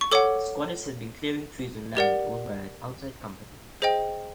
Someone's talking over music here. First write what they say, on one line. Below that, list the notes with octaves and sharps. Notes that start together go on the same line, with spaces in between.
Squatters had been clearing trees on land owned by an outside company.
C#6
A4 C#5 F#5 D6
G4 A#4 D5 F#5
G#4 C5 D#5 G5